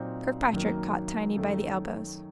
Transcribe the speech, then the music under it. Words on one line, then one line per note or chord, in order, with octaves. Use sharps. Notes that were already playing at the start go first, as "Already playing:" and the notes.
Kirkpatrick caught Tiny by the elbows.
Already playing: A#2 F#3 C4 D#4
F#2 D#3 F#3 A#3
F#2 D#3 A3